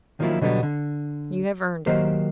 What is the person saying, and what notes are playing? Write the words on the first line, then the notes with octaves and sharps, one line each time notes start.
You have earned it.
D#3 F3 F#3 A#3 E4 F4
B2 D3 F#3 G3 B3
D3
D#3 F#3 A#3 G4 C5